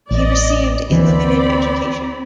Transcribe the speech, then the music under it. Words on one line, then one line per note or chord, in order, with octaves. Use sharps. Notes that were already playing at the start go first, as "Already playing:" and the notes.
He received a limited education.
A1 D5 D#5
D2 E3 C4 D5 B5